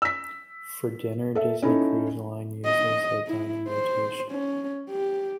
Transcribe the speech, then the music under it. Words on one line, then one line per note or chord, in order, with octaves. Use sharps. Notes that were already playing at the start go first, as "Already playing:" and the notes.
For dinner, Disney Cruise Line uses a dining rotation.
E6 B6
A4 E5
C#4 D#4 E4 A4
D#5
E4
C5
C#4
G4